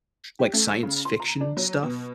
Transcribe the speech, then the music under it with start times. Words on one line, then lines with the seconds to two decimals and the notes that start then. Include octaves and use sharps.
like, science fiction stuff?
0.39 G4
0.53 A3
0.83 C#3
1.05 C6
1.20 A#5
1.41 D4
1.57 F#3
1.83 B2